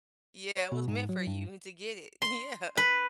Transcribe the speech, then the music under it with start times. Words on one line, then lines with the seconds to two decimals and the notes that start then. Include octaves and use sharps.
Yeah. It was meant for you to get it. Yeah.
0.57 C#5
0.72 B2
0.88 G#2
1.09 F#3
1.27 G2
2.22 C6
2.77 B4